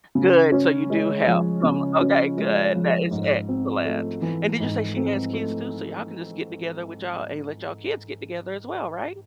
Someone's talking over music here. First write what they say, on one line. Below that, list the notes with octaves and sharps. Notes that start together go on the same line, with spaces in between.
Good, so, you do have some Okay, good, that is excellent. And did you say she has kids, too? So, y'all can just get together with y'all and let y'all kids get together, as well, right?
C#3
C#4
G#3
F3
C#3
C#4
G#3
F3
G#2
C4
A3
E3
G#2
C4
A3